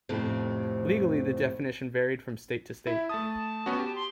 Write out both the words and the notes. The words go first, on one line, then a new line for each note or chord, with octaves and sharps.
Legally the definition varied from state to state.
F2 A2 C3
E4 E5
A3 A5 D#6
B3 C#4 F#4
G4
C6